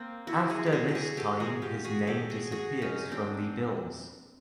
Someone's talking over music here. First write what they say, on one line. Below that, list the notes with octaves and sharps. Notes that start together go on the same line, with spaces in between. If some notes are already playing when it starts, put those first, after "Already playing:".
After this time his name disappears from the bills.
Already playing: A#3 C4
E4 F#4
F#4 G#4
G4
F#4 G#4
G4
F#4 G#4
G4 A4
F#4 G#4
F4 G4
F#4 G#4
G4 A4
F#4 G#4
F#4 G#4
C#4 D#4
C4 D4